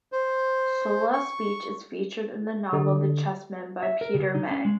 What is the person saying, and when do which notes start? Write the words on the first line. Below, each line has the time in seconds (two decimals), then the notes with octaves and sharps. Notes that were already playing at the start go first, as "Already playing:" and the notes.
Sollas beach is featured in the novel The Chessmen by Peter May.
0.12 C5
1.13 C#6
2.73 D3 G4 A4 D#5
3.83 E5
4.01 A#4
4.14 C#3
4.35 D#4
4.51 C#4
4.65 G#3